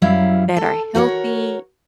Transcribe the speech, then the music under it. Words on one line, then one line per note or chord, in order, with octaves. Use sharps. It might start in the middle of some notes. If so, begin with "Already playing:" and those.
that are healthy
F#2 F#3 G3 E4 F5
A4
F#4 A#4 C5 C#5